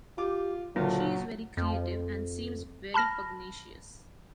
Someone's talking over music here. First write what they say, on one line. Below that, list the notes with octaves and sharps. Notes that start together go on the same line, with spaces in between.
She is very creative and seems very pugnacious.
F4 G4 D6
F#1 A#2 D3 F#3 F4
F2
A5 B5 F6 A#6